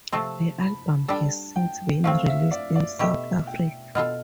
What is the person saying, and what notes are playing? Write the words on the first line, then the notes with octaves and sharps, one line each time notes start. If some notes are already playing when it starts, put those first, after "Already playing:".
The album has since been released in South Africa.
C3 F3 A3 C4 A5
B5
G3 D4 A4 A5
G5
F3 A3 C4 F5
E5
D5
D5
B2 A3 E4 G4 E5
G5
B2 B3 F4 A4 F6